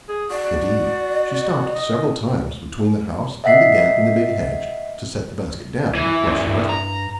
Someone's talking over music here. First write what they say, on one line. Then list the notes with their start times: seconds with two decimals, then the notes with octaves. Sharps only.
Indeed, she stopped several times between the house and the gap in the big hedge to set the basket down while she rested.
0.09 G#4
0.30 F#4 D5
1.75 D#5
3.44 D#5 E5 F#5 B6 C7
5.95 E3
6.27 F#2 A#2 E3
6.47 G2
6.69 A#5